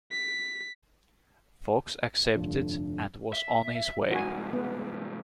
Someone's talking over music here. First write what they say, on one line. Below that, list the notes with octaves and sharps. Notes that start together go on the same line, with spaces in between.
Fox accepted and was on his way.
B6
F1 G2 D3 F3
E5
C2 G#2 F#4 G#5
B3